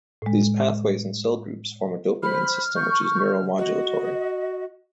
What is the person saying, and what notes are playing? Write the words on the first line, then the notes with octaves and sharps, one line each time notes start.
These pathways and cell groups form a dopamine system which is neuromodulatory.
A2 G#3
C5 B5 F6
C#6 G6
F#4 D#5